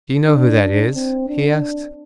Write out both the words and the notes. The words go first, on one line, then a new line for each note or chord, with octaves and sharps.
"Do you know who that is?" he asked.
D4
C4
D4